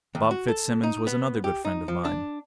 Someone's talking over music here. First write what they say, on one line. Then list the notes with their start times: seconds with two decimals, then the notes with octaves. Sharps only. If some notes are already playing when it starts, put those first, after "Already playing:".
Bob Fitzsimmons was another good friend of mine.
0.15 D#2
0.31 F#4
0.48 A4
0.83 D#4
1.07 B3
1.44 G4
1.65 D#4
1.88 F3
2.05 D4